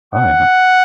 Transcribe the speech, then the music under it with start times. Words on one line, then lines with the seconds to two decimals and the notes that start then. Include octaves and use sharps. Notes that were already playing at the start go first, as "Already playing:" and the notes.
Oh, yeah.
0.15 F#5